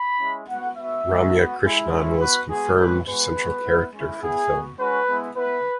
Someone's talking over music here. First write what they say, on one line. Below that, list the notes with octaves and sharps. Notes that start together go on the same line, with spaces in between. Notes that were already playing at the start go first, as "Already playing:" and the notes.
Ramya Krishnan was confirmed central character for the film.
Already playing: B5
G#3 C#4 E4
B3 F#4 F#5
B3 F#4 E5
G#3 B3 F#4
B3 F#4
G#3 E4
G#3 C#4 E4
B3 F#4 B4
G#3 B3 F#4 G#4
G#3 C#4 F#4 B4
G#3 B3 F#4 B4
G#3 B3 F#4
B3 E4
G#3 C#4 E4
B3 E4 G#4
B3 F#4
G#3 C#4 F#4 B4
G#3 B3 E4
B3 E4 B4